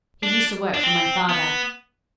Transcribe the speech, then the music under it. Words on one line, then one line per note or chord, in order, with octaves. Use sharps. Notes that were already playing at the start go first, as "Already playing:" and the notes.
He used to work for my father.
D4
D4
C4
B3